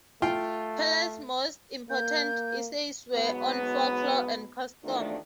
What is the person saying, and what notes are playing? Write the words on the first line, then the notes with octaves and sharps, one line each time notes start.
Perles' most important essays were on folklore and custom.
A3 F4 F5 G5
A#3 G6
G#2 B2 F#3 B3
E2 D#3 F3 A3 D4